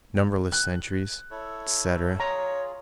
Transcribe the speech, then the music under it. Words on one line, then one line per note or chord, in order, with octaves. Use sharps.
"Numberless centuries," etc.
F#6
E4 A4 C#5
F4 G#4 C#5 A#5